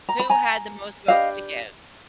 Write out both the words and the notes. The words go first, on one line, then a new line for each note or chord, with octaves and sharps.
who had the most votes to get.
A#5
B5
G#5 A#5
D4 G4 B4 D#5 F5